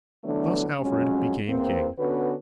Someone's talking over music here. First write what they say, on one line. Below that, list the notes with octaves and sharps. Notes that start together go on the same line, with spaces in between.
Thus Alfred became king.
D3 E3 F#3 A3 B3 D4
F2 F#3 G#3 C#4
E2 A#3 C4
D3 B3 C#4 F#4 B4